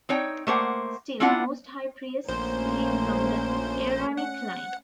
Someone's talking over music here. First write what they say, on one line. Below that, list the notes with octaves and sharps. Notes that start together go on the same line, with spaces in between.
Still, most high priests came from the Aaronic line.
C4 D#4 C#5 G5
A3 A#3 C5 F#5
C4 D4 E4 F4 F#5
A#1 A3 A#3 C#4 C5
F#5